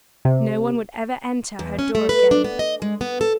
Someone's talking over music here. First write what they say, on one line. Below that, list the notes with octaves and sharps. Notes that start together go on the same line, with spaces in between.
No one would ever enter her door again.
C3
E2
C#4
A3
B4
D4
B3
D#5
G#3
B3
A4